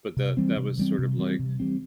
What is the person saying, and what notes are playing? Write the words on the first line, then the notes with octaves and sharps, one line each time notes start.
but the that was sort of like,
C3
E3 G3 C4
C3
E3 G3 C4
C3
E3 G3 C4
C3
E3 G3 C4